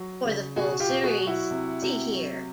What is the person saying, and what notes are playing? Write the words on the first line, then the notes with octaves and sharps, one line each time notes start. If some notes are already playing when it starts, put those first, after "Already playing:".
For the full series, see here.
Already playing: F#3
C#3
B2 F#4 G#4
F4 G4
B2
F#4 G#4
F#3
E4 F#4
C3
C3
F#3